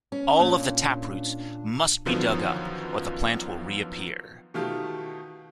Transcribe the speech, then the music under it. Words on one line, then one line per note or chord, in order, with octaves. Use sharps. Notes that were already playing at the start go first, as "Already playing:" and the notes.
All of the taproots must be dug up, or the plant will reappear.
C#4
A#2 D4
F#2 D3 D#3 F3 F#3 B3
B2 D#3 A3 F4 G4